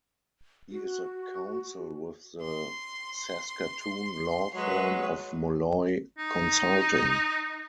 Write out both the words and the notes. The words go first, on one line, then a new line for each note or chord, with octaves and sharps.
He is a counsel with the Saskatoon law firm of Molloy Consulting.
F#4
C6
F#3 G#3 B4 C#5
D#4